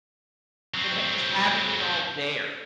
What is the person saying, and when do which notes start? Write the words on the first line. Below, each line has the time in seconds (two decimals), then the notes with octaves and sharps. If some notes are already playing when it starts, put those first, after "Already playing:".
and ha just having it all there.
0.74 F#3 C4